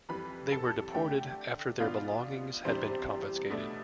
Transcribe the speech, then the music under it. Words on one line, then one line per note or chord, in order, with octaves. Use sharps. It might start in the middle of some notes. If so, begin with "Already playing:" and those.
They were deported after their belongings had been confiscated.
F2 E3 G3 B4 B5
A4 A5
D3 A3 D4 G4 G5
B2 B3 D4 F4 F5
E2 C3 G3 D4 C5
B2 A3 D4